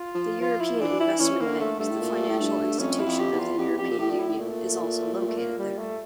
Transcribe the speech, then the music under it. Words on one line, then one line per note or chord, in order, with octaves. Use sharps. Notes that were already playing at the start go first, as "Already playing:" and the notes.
The European Investment Bank-the financial institution of the European Union-is also located there.
Already playing: F4
F3
F3 F4
E4
E3 D4
E4
E3 C#4
F3
E3 A#3
D3
A3
G2 A3
A2
A#2
A2
G2
F2 C#4
E4
F2
G4
E2
F4
F2 G4
E2
F2 G4
A#2
A2 G4
D4
E4
A2
A#2 A3
G3
A3
A#3
G3
A3